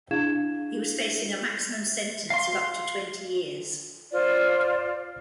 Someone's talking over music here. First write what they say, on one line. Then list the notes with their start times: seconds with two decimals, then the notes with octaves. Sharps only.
He was facing a maximum sentence of up to twenty years.
0.11 D4 E4 G#4 F5 G#6 E7
2.30 F5 C6
4.11 F4 C5 D5